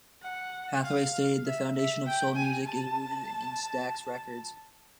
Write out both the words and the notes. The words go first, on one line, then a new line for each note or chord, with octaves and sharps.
Hathaway stated, The foundation of soul music is rooted in Stax Records.
F#5
F5
E5
E5
G5
G#5
A5